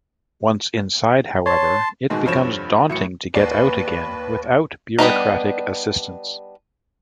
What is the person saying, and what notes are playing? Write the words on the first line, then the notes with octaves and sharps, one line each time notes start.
Once inside, however, it becomes daunting to get out again without bureaucratic assistance.
C#5 A5 C6
G#2 B2 D#3 G#3
F1 G2 F3 C#5 E7
A2 F#3 C#7
D#2 B4 D5 C7
G3 B3 D4 D#4